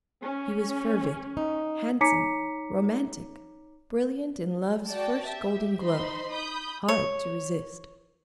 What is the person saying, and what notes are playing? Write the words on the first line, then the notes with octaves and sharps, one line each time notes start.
He was fervid, handsome, romantic, brilliant in love's first golden glow, hard to resist.
C#4
D#4
D#4 C#5 A#5 D6 B6 C#7
F#4 D5 G5 A5
G4 E5
D#4 C5 B5 C6
B5 D#6 G6
C#5